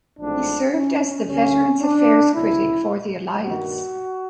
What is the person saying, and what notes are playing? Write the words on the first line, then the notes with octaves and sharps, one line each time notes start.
He served as the Veterans Affairs critic for the Alliance.
A1 G#2 F3 A3 C4 D4
C#4
D2 D3 G3 C#4
D4
D2 C#3 F#3 B3 E4
G2 D#3 G3 A#3 F#4